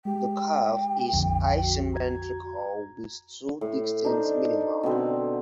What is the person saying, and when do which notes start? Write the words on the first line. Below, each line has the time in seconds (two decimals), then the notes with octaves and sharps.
The curve is asymmetrical with two distinct minima.
0.05 G#3 G4 G5
1.13 A#1 F2 D3
1.60 F#4
1.94 A#5 G#6
3.61 A2
4.05 D4 D#4 A#4 C5
4.83 B2 D3 C4 B4